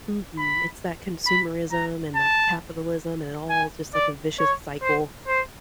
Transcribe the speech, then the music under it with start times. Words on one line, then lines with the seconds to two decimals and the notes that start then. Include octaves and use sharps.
Mhm, it's that consumerism and that capitalism, and it all just like a vicious cycle,
0.38 B5
1.26 B5
1.72 A#5
2.16 A5
3.50 G#5
3.94 D5
4.39 C#5
4.82 C5
5.27 C5